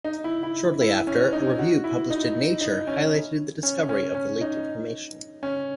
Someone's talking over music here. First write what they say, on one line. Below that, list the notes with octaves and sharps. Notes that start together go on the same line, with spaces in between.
Shortly after, a review published in "Nature" highlighted the discovery of the leaked information.
D#4
E4
E4
E4
C#4
D#4
F#4
E4
D#4
D#4
C#4
C#4
C#4
C#4
D#4
C#4